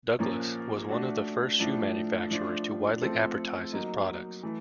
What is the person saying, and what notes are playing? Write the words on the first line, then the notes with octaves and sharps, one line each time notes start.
Douglas was one of the first shoe manufacturers to widely advertise his products.
A#2 F3 A#3 C#4
A3 D4 F#4
A2 F3 A3 D4
F3 A3 D4 F4
F3 A3 C4 F4 A4
F#3 A#3 D#4
E3 A3